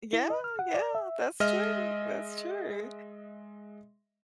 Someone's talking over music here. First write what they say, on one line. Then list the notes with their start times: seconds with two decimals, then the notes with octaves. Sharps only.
Yeah, yeah, that's true, that's true.
0.13 E4
0.30 D#5
0.44 F6
0.59 F#5
0.74 D5
0.95 E5
1.40 G#3 D#5 E5 F6